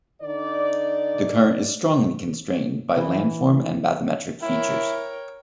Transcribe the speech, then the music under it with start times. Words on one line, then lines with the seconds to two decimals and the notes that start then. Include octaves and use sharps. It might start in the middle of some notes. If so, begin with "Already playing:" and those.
The current is strongly constrained by landform and bathymetric features.
0.22 D3 D#4 D5
2.97 E3
4.42 E4 A#4 C#5 G5